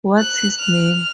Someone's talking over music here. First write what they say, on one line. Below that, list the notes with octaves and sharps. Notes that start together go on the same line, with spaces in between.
What's his name?
F#6
F6